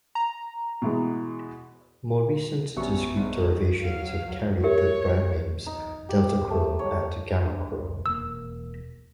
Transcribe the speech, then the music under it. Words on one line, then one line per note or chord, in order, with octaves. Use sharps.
More recent discrete derivations have carried the brand names DeltaChrome and GammaChrome.
A#5
B2 E3 G#3
A#1 F#2 F#3 G3 B3 E5 C#6
F1 G#2
F#3 F5
F#3
G4 A#4 C#5 E5
D#4
G4
A3
C#5
D4
E1 A#3 E6